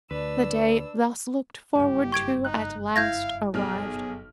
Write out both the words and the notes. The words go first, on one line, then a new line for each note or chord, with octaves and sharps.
The day thus looked forward to at last arrived.
D2 D4 B4 E6
F#1 G2 G4
C#6 G#6 D7
D#4 F#6
E4 F5 G6 G#6 A#6
B1 G#4 F6